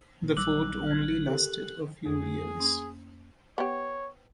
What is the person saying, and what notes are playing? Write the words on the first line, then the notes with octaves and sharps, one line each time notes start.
The fort only lasted a few years.
A#2
A#1 F#3 G3 D6 E6 F#6 F#7
F6 G#6
G4 A4 A#4
F2 A3 D4 G#4
A#3 C#4
B3 G4 C#5